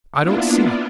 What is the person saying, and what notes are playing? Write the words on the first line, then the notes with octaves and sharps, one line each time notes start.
I don't see.
A#3 B3 D4 E4 F4